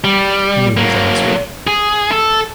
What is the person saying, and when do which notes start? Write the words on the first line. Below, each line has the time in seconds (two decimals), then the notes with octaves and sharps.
He knew his answer.
0.04 G3
0.77 F#3 A#3
1.67 G#4
2.12 A4